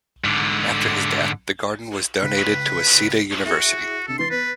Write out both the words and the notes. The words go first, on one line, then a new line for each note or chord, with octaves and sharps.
After his death, the garden was donated to Waseda University.
G#2 D3
C#2 B4
E4 F#4 G#4
C3 D4 A4
E3 C6 A6 C7
B3 B4